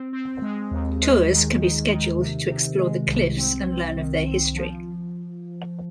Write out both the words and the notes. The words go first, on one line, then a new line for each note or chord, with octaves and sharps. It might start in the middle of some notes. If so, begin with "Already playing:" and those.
Tours can be scheduled to explore the cliffs and learn of their history.
Already playing: C4
C4
G#3
D#2
G#3
D#3
D#3
D#3
C3
C3
G#3
C2
C4
C4
D#3
C4
F3